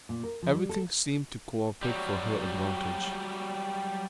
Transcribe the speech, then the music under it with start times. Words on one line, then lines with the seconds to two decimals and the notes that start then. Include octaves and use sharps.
Everything seemed to cooperate for her advantage.
0.09 A#2
0.24 A#4
0.43 F3
0.55 G3
0.69 A4
1.82 F#3 G3